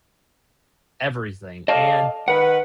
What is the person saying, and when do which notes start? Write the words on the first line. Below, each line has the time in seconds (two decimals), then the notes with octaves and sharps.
everything, and
1.68 A4 D5 D#5 F5 A5
2.28 D#3 B4 F#5